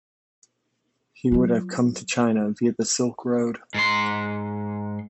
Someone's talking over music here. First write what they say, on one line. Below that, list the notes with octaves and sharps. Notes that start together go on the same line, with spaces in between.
He would have come to China via the Silk Road.
F#3 F4
G#2 C6